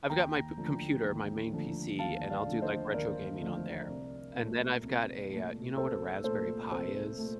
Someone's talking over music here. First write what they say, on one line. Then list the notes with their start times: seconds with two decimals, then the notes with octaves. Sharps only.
I've got my computer my main PC, and I'll do, like, retro gaming on there, and then I've got a, uh, you know what a Raspberry Pi is?
0.10 D#2 G5 A#5
0.57 D3 F3 A3
1.04 D#2
1.52 D3 F3 A3
1.99 D#2 F5 A5
2.30 D5 F5
2.46 D3 F3 A3
2.62 C5 D#5
2.94 D#2 A#4 D5
3.41 D3 F3 A3
3.88 C2
4.35 A#2 A3
4.82 C2
5.30 A#2 A3
5.76 C2 A4 C5
6.24 A#2 A3 A4 C5
6.71 C2 A4 C5
7.18 A#2 A3